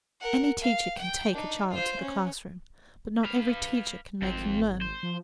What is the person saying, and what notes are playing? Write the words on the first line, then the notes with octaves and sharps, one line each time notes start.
Any teacher can take a child to the classroom, but not every teacher can make him learn.
A#4 F#5
F5
G5
D4 D#4
F4 C5
C#4
B4 F5
G#1 F2 C4
C5
F3